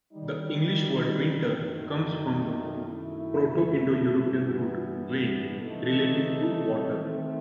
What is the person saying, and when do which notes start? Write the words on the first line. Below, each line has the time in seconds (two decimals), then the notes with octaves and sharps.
The English word "winter" comes from the Proto-Indo-European root "wend," relating to water.
0.13 D#3 G3 D#4
1.49 F#2 D#3 A3 D#4
2.86 F#2 D#3 A3 E4
4.23 G2 E3 B3
5.62 C3 E3 A3 D#4 A4
6.98 D#3 A3 C4